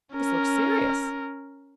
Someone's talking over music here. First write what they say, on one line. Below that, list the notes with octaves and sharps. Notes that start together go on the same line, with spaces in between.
This looked serious.
C#4 A#4